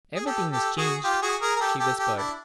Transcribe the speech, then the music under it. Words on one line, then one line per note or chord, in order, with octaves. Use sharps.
"Everything is changed," she whispered.
G#4
G4 A4
G4 A4
F#4 G#4
F4 G4
F#4 G#4
G#4 A#4
A#4
G4 A4
G4 A4
G4 A4
D4 E4